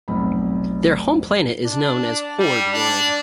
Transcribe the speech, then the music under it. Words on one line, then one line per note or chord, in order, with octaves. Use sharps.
Their home planet is known as Horde World.
F1 B1 C4 C5 B5
D4
G3
D4